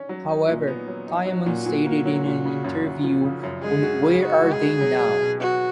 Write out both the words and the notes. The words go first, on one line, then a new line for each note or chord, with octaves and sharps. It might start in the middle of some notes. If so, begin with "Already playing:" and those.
However, Diamond stated in an interview on Where Are They Now?
Already playing: C#4
F#3
D#4
A#2
B3
F#3
D#4
F#3 F#4
A#2
A#2
A#3
F#3
A#2
C#3
F#2
F#2
F3
C#3
F#2
G#3 G#4
F#4
C#3
D#4 F#4
G#3
G#4
F#4
F#3
B2
B2
B3 F#4